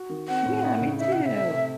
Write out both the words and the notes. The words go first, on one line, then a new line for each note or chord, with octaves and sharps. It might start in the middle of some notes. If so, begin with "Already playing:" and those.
Yeah, me too.
Already playing: F#4
D#3
C4 F#5
A2
D#4
C#3
D#4 E5
C3 F#5
E5
A3
C3